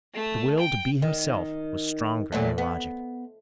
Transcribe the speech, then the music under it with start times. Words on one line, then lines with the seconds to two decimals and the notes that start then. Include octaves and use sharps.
But the will to be himself was stronger than logic.
0.14 A3
0.59 G5
1.02 D#3
2.32 A#2 F#3 A3
2.58 B3